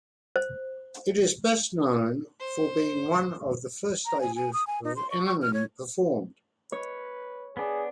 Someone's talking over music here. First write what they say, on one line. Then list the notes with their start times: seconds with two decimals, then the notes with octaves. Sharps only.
It is best known for being one of the first stages Eminem performed.
0.36 C5
2.40 C5
4.06 A#5
4.21 G#5
4.36 G#5
4.53 D#6
4.67 G#5
4.84 D#4
4.96 C6
5.11 C#6
5.26 C#6
5.42 F6
5.54 C#5
6.72 B4 C#5
7.57 B3 D4 G#4